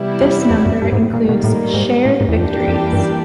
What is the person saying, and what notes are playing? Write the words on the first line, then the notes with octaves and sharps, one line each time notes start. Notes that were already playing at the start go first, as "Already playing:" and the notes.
This number includes shared victories.
Already playing: C3 E3 G3 B3 E4
F2
F2
F#2
G2
G#2
A2
A#2 D#3 G3 A#3
B2
A2
G#2
A2
G#2
E2
F2 E3 G3 A#3 D4 G4
F2
G2
F#2